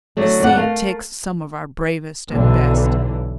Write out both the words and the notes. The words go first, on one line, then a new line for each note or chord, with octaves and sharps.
The sea takes some of our bravest and best.
D3 F#3 A3
F2 D3 D5 F#5
A3 A#4 F5
B1 D3 E3